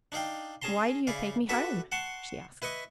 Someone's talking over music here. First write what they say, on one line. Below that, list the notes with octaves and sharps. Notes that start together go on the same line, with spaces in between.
"Why do you take me home?" she asked.
D4 D#4 D5 F5 G5
C#4 G#4 A5 A#5 C6
C#3 E4 D5 F5
D4 F#4 A4 B4 E5
F#5 A5 C6 C#6
E4 B4 D#5 C#6